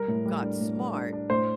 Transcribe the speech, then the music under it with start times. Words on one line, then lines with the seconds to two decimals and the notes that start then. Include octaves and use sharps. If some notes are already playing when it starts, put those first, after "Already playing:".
got smart,
Already playing: G3 A#4
0.08 A2
0.26 G3
0.42 D4
0.60 A2
0.77 G3
0.95 D4
1.13 D4
1.30 A2 C5